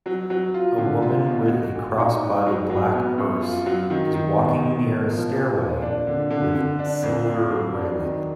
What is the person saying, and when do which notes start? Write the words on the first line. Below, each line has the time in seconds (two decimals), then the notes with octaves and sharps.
A woman with a crossbody black purse is walking near a stairway with silver railing.
0.06 F#3
0.30 F#3
0.54 F4
0.78 D3
1.02 F4
1.27 B2
1.49 F#4
1.75 A#2
1.98 D#4
2.23 G#2
2.46 F#3
2.70 F#3
2.94 B3
3.18 F#2
3.42 F4
3.66 F#3
3.90 D#3
4.14 D#3
4.38 B2
4.62 B2
4.86 A#4
5.10 F3
5.35 A#2
5.59 A#2
5.82 D4
6.07 D3
6.30 D3
6.55 D3
6.79 D4
7.02 F2
7.26 F4
7.50 F#3
7.74 D4
7.98 D#3